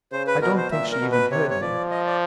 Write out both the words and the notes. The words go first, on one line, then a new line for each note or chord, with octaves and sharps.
I don't think she even heard me.
C#3 C5
B4
B2 A#4
C5
A#2 E5
A#4
B2
B4
C3 C#5
C#5
F3 D5
D#5
D5